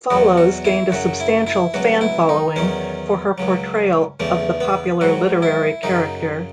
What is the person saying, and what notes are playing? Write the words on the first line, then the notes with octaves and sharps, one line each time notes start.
Follows gained a substantial fan-following for her portrayal of the popular literary character.
E2 B2 F#3 F#4
F#4
E4
F#2 C#3 F#3 F#4
E4
E4
C#2 B2 F#3 F#4
E4
D#4
E2 D#3 F#3 C#4
C#2 C#3 F#3
E2 C#3 E3 A3
B3
G#2 F#3 F#4
E4
F#2 C#3 F#3 D#4